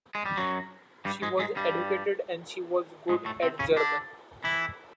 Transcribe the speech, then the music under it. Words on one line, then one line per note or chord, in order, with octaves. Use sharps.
She was educated and she was good at German.
G#3
G3
F#2 F#3
G2 G3
G#2 G#3
G#2 G#3
G2 G3
G#2 G#3
A2 A3
C3 C4
C#3 C#4
D3 D4
E3 E4